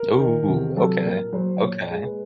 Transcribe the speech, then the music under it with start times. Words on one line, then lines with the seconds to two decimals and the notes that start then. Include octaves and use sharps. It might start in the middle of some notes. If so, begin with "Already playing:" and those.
Ooh, okay, okay.
Already playing: A#4
0.20 D#3
0.49 C3
0.77 F#3 A4
1.04 A#2 A#4
1.33 F#3 C5
1.62 A#2 C#5
1.91 G#3
2.04 B4